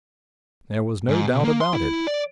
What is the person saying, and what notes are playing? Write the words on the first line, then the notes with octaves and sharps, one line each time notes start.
There was no doubt about it.
G#2
B2
A#3
C6
E4
D5